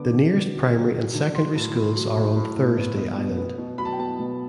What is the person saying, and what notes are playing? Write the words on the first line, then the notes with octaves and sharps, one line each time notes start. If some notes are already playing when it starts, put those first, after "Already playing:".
The nearest primary and secondary schools are on Thursday Island.
Already playing: D3 B3 D6
D3
F#3
F#3
F#3
F#3
D3
F#3 C6
A2
A2
F#3
A2
A2
A2
B3
B3
B2
B3
B2
F#3 B5
A5
G5
B3 A5
B2